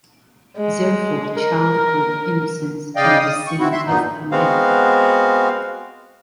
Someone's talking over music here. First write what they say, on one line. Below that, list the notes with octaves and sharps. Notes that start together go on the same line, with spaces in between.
Therefore, childhood innocence can be seen as a myth.
G#3
A#4
C#3 D5 D#5 F5 G5
D#6
C#6
C4 E4 F#4
E5 C6
G2 A#2 B3 D#4
G#3 B3 C4 F#4 F5